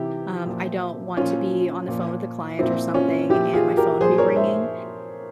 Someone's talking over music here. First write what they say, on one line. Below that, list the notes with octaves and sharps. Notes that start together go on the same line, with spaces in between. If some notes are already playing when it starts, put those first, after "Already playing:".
um, I don't want to be on the phone with a client or something and my phone be ringing.
Already playing: C3 E3 E4 G4
A#2 F3
A#2 F3 C#4 F4
A#2 F3
A#2 F3 C4 E4
C#4 F4
A#2 F3 E4 G4
F4 G#4
G4 A#4
A#2 F3 G#4 C5
A#4 C#5
C5 E5